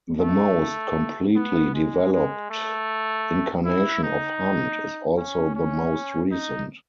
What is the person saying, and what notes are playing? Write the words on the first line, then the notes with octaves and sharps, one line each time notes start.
The most completely developed incarnation of Hunt is also the most recent.
A3
B3
G#3
G#3
A3
E4
D#4
C#4
C#4
D#4